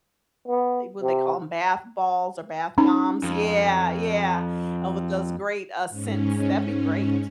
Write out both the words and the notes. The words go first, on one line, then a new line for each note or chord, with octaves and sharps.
what do they call 'em bath balls or bath bombs. Yeah, yeah, and with those great uh scents, that'd be great.
B3
C3
C#4 D#4 A#5
F2
G#2 C#4